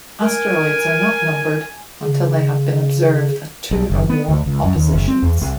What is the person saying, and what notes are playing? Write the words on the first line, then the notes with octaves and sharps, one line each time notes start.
Asteroids are not numbered until they have been observed at two or more oppositions.
A#4 G#5
C#3
B1
F#1
B3
D2
C#2
F#2
D#2
F#1
C4
E2
C2